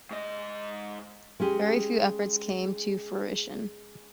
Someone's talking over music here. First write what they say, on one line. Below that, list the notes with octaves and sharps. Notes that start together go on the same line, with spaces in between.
Very few efforts came to fruition.
G#2 D#5
G#3 C#4 G4 G#4